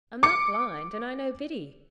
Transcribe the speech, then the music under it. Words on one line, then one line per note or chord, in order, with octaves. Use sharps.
'I'm not blind, and I know Biddy.
D6 C#7